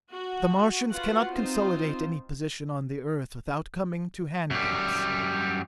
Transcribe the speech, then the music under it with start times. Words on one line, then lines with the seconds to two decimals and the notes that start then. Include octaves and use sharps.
But the Martians cannot consolidate any position on the Earth without coming to handgrips.
0.13 F#4
0.92 F4 F#4 B4 F5 F#5
1.30 C4 D#4 F4 C5
4.50 F#2 G3